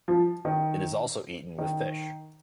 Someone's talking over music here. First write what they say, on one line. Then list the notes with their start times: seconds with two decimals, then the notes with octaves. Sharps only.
It is also eaten with fish.
0.08 F3
0.45 D#3
1.59 D#3